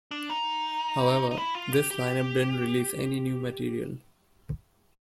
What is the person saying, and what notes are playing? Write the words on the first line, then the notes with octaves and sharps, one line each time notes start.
However, this line-up didn't release any new material.
D4
D#4
D#4
E4
F4
G4
G4